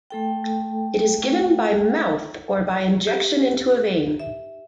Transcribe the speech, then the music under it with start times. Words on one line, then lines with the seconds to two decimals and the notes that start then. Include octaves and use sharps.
It is given by mouth or by injection into a vein.
0.10 A3 A4 G5
3.07 G4
4.20 E5